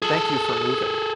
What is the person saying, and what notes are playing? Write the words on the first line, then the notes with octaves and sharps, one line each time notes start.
Thank you for moving.
G#4 A4